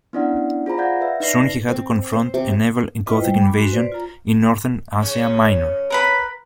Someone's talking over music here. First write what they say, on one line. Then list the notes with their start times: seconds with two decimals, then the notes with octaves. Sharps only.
Soon he had to confront a naval Gothic invasion in northern Asia Minor.
0.13 B3 C#4 D4 E4 D5 F#5
0.66 F4 G#4 C5 A#5 B5
0.78 D5 F5 F#5 G6 G#6 A#6
1.01 B4 E5
1.20 D#4 B4 D5 A#6 C7
1.69 C4
2.13 C5
2.34 C3
3.06 E4 F4 B4 D#5
3.20 G3 G#3 C5 G5
3.42 B5 D6
3.57 G#3 F#4 C6
3.72 B4 C5 D5
3.92 F4 A#5
5.01 C#3 C#4
5.90 A#4 B4 B5